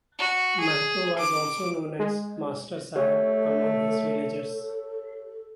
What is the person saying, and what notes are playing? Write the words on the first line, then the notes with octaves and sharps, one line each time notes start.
Mahto was also known as "Master Saheb" among his villagers.
F#4
G#4
D6
G#3
A3 G4 A4 C#5